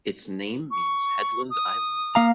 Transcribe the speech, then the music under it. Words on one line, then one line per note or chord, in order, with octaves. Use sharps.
Its name means 'headland island'.
C#6
D#6
A#3 F5 A#5